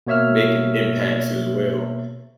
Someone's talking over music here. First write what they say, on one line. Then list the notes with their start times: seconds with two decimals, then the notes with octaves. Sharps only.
making impacts as well,
0.07 B2 A#3 C#5 E5 E6 F6